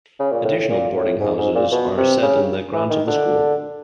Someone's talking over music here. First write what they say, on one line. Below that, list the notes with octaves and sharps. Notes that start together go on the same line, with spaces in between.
Additional boarding houses are set in the grounds of the school.
C#3
A#2
A2
A2
A#2
A2
G#2
G#2
A#2
B2
C3
C#3
E3
D#3
D3